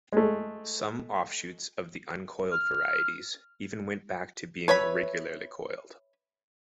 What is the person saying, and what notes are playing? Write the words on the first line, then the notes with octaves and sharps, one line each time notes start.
Some offshoots of the uncoiled varieties even went back to being regularly coiled.
G#3 A3
F6
B4 C#5 E5 B5